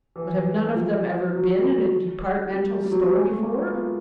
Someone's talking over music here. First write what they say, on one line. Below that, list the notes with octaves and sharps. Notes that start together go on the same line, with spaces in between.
"But have none of them ever been in a departmental store before?"
E3
F3
F#3
G3
G3
F#3
G3
G#3
A3
A#3
B3
F4